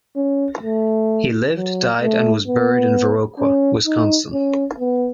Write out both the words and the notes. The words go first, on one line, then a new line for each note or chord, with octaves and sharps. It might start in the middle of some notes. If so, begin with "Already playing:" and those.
He lived, died and was buried in Viroqua, Wisconsin.
C#4
A3
F#3
A3
B3
C#4
D#4
C#4
B3